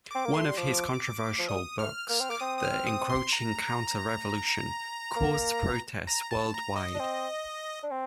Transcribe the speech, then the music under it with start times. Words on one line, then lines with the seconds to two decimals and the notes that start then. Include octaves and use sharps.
One of his controversial books, "The Encroaching Counter Revolution", caused protests worldwide.
0.11 C4 D6
0.26 A#3
0.34 A3 C6
0.46 G3
0.57 F3 D6
1.39 F3
1.49 G3 D#6
1.79 A3 F6
2.09 A#3 F6
2.20 C4
2.30 A#3 D6
2.40 C4 D#6
2.58 D#6
2.64 F6
2.87 D#6
3.10 C6
3.33 A#5
5.16 A#3
6.07 A#5
6.31 A5
6.53 A#5
6.76 D#5
6.94 D4
7.00 C4
7.83 D4
7.91 C4